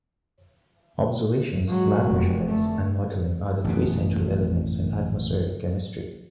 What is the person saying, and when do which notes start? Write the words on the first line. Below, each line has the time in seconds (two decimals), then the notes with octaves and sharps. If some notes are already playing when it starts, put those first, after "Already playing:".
Observations, lab measurements, and modeling are the three central elements in atmospheric chemistry.
1.68 G#2 F#3
2.06 F1
2.47 D3 A3
3.64 A1 F#2 B2